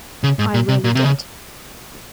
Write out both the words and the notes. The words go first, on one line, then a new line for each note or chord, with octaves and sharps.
I really did.
C#3
G#2
A#2
C3
A#2
C3
C#3